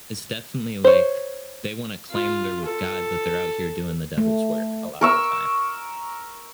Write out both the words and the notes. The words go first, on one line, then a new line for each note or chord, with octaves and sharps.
It's definitely, like, they want to claim they're with God, but they're out here doing the devil's work a lot of the time,
C5 C#5
F4
A4
A3
A#4 C#6 E6